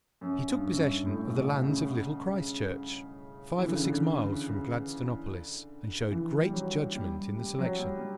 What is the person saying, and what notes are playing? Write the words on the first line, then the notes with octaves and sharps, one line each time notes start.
He took possession of the lands of Little Christchurch, five or six miles from Gladstonopolis, and showed great judgment in the selection.
F#2
G2
F#2
G2
A2
B2
C#3
E3
D3
C#3
D3
E3
G3
F#3
G3
G3
G3
F#3
G3
G3